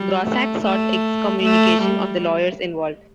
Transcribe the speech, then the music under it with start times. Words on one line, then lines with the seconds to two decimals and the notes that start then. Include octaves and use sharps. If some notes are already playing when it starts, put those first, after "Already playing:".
Grossack sought excommunication of the lawyers involved.
Already playing: G3
0.24 A3
0.64 A3
1.43 A3
1.82 G3